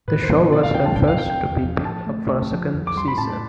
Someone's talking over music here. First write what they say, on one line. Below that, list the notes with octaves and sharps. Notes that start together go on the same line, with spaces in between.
The show was her first to be picked up for a second season.
A2 B4
C5
B3
C5
B2 D5
F5
D4 G5
A5
B2 G5
F5
C4 G5
G5
E2
F3
A2 A5
A3
D2
F3
F2
D6
G3 C6
B5
A2 A5